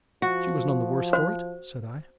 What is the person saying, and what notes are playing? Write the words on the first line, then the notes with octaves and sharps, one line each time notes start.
"She was none the worse for it," said I.
F3 F#4
C5